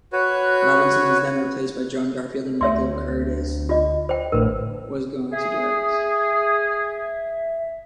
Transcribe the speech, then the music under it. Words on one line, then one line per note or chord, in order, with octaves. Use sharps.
Robinson was then replaced by John Garfield and Michael Curtiz was going to direct.
F#4 B4 C#5
D2 C#5 E5 C6
F4 D#5
C5 G5
A1 A2 D3 A#4 B4
G#4 E5